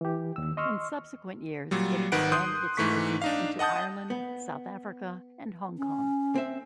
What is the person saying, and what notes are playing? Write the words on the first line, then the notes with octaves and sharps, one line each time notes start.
In subsequent years, it expanded its business into Ireland, South Africa, and Hong Kong.
E3 G4
D#2 E6
D#5 C6 C#6 E6 F6
A#2 F#3 G3
G#1 D#3 B4 F#5 D7
C6 D#6 F#6 G6
G#2 E3 A3 C#6 B6
D4 D#4 F5
D#5 F#5 A5 D#6 G6
B3
C#4
C4 E5